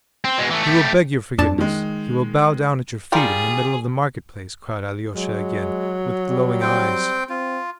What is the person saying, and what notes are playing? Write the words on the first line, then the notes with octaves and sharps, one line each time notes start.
"He will beg your forgiveness, he will bow down at your feet in the middle of the market-place," cried Alyosha again, with glowing eyes.
C4
B2 G#3
E3 A3
A3 G4
F2 D4 A5
D#3 G#3
G3 F4 G#4 A#4
F#3 G#3
G3
C4 G5
C4 F4